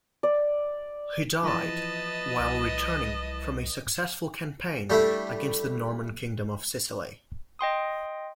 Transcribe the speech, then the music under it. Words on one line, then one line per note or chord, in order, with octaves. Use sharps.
He died while returning from a successful campaign against the Norman Kingdom of Sicily.
D5
E3 F3 B4 D#5 A5
C2
G3 A3 D4 E4
D#5 G5 C6 D#6